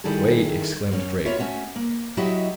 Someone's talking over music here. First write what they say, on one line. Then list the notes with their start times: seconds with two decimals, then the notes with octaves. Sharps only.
"Wait!" exclaimed Drake.
0.04 D#3 G3 E4 G#4 A4
0.91 F#2 C#4
1.25 B3 F4 C#5 E5
1.39 A3 C#4 F#4 E5
1.76 A#3
2.17 F#3 E4 F#4 G4 D#5 E5